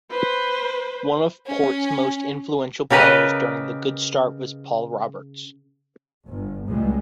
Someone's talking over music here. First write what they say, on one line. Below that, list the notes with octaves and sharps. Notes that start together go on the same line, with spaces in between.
One of Port's most influential players during the good start was Paul Roberts.
B4 C5
C#4
C#3 G4 A#4 B4 D#5
G1
C#2 A2 G3 G#3